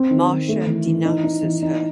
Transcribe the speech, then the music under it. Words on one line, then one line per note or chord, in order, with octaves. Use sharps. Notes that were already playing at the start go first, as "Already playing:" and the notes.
Marcia denounces her.
Already playing: C4
D#3
D#3
A3
E3
E3
D#4
D#4
E3
D#4